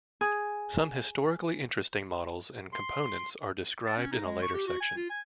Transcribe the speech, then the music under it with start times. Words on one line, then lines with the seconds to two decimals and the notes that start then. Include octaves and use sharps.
Some historically interesting models and components are described in a later section.
0.21 G#4 G#5
2.73 C6
3.86 A5
3.97 C#4
4.12 D#4
4.25 G#3
4.42 C#6
4.54 G4
4.67 F#4
4.81 G#5
4.96 F4
5.10 G#5